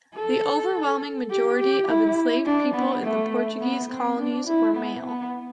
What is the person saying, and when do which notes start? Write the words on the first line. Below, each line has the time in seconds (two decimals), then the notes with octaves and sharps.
The overwhelming majority of enslaved people in the Portuguese colonies were male.
0.15 A4
1.30 G4
1.59 G4
1.89 E4
2.46 D4
2.75 B3
3.03 A3
3.61 B3
3.90 C4
4.19 D4
4.47 E4
4.76 B3
5.05 B3